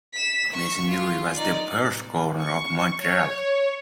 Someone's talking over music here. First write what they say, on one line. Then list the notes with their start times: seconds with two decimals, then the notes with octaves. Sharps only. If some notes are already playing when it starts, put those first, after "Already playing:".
Maisonneuve was the first governor of Montreal.
0.13 B6 E7
0.53 C#6
0.89 F4
1.36 D#4 D5
2.39 C#6
3.01 C#5